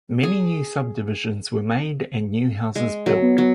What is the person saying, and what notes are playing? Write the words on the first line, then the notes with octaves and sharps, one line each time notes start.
Many new subdivisions were made and new houses built.
G#4
G#3
F#3
B3
F#3